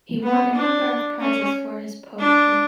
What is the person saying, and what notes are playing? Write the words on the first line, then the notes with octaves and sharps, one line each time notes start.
He won a number of prizes for his poetry.
B3
D4
C#4
D4